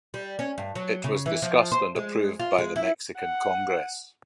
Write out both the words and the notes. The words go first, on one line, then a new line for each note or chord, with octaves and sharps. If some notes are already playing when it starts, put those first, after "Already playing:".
It was discussed and approved by the Mexican Congress.
G3
C#4
G2
F#3
C#3
E3
F3
C5
G#3
F4
G#3
E4
F#5